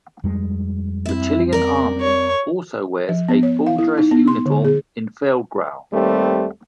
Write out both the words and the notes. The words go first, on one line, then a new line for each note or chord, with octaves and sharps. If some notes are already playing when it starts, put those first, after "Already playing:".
The Chilean Army also wears a full dress uniform in feldgrau.
F2 G3 G#3
C4 E4 E5
A#4 D5
C#5
F3
B3
C#5
F5
E4
D#4
B3
C6
D3
G#4
D#2 G3 A3 C4